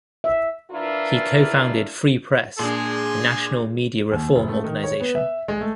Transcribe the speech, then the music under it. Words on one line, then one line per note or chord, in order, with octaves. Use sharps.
He co-founded Free Press, a national media reform organization.
E5
E3 D4 E4 F4 A#4
A#2 G#3 D4 G#4 C6
D#2
F#1
A3
D#3
C#5
B3
E5
G#3
A3